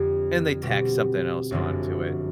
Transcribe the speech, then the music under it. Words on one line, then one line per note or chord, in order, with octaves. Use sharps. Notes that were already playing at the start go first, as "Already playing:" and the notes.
and they tack something else onto it.
Already playing: F2 D3 G3
B2 G3 C4
G1 F#2 D3 F3 G#3